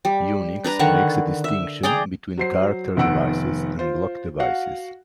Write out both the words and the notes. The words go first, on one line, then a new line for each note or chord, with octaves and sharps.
Unix makes a distinction between character devices and block devices.
G3
D4 B4 A#5
D3 D#3 F#5 C#6
E5
G#4 D5 G5 A#5
F#3 C5 C7
F1 D#3 B3 F#5 E6 D7
F4 C5
F#4 F5 F#5